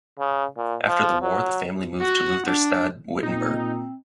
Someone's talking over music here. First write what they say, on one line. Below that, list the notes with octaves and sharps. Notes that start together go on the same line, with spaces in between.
After the war the family moved to Lutherstadt Wittenberg.
C#3
A#2
F3
F#3
F#4 F#5
D4
A#2 C4 D#4